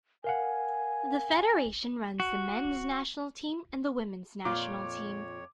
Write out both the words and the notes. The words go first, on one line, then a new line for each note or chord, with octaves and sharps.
The Federation runs the men's national team and the women's national team.
A#4 F5 F#5 G#5
F#4
F2 A#2 F4 C#5 D6